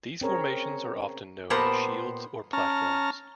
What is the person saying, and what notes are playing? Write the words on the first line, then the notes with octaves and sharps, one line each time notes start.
These formations are often known as shields or platforms.
C4 C#4 G#4 A#4 C#5
A#2 B3 G4 A#4 C5 A5
C#4 A5 A#5 F6